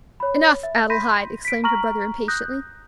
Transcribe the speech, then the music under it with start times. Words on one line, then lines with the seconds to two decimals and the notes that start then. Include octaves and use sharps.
"Enough, Adelaide!" exclaimed her brother, impatiently.
0.20 C#5 B5
0.63 E5
0.90 B5 C6 G6 A#6 B6 D#7
1.45 B6 D7
1.64 A#5 C#6 F6 A#6 F#7
2.28 D#6 F#6 G6 A#6